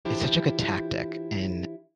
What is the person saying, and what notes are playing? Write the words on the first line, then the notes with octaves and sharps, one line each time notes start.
it's such a good tactic in
E3 D4 E4 F4 G4 C5